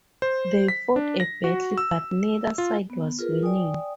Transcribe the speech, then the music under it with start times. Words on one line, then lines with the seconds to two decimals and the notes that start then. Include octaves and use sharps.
They fought a battle but neither side was winning.
0.22 C5
0.68 B6
0.96 D4
1.20 A#6
1.44 F#4
1.78 E6
2.58 F4
2.90 B3
3.19 F4 G#4 A#4 B4
3.43 D5 G5 G#5 D#6